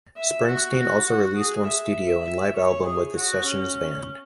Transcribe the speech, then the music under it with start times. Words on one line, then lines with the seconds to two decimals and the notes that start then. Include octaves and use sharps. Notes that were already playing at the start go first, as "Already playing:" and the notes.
Springsteen also released one studio and live album with The Sessions Band.
0.17 E5
0.47 F#4
1.06 F#4
1.37 G#4
1.67 E5
2.57 C#5
2.86 G#4
3.16 F#4
3.46 C#4